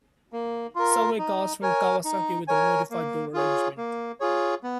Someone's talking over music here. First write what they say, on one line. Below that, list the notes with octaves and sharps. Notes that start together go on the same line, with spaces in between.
Subway cars from Kawasaki with a modified door arrangement.
A#3
F4 A#4
D#4
A#4 C#5 G#5
D#4
A#4 C#5 G#5
A#3
F4 G#4 C#5
A#3
F4 G#4 C#5
B3